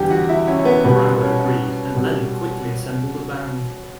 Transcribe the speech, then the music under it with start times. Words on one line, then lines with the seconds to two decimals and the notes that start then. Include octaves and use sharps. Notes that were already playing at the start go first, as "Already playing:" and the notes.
Brower agreed, and Lennon quickly assembled a band.
Already playing: E2 D3 G3 G4 G5
0.10 F#4 F#5
0.29 E4 E5
0.47 C#4 C#5
0.59 C#5
0.65 B3 B4
0.84 B2 G3 B3 B4
1.21 C#4 C#5
1.39 C#4 C#5
1.95 B2 G3